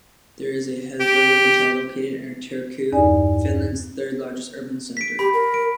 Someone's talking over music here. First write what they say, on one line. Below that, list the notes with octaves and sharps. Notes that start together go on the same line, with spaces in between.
There is a Hesburger Hotel located in Turku, Finland's third largest urban centre.
G4
E2 G2 D#4 D5 G#5
B6 D7
G4 B5
A#4
D7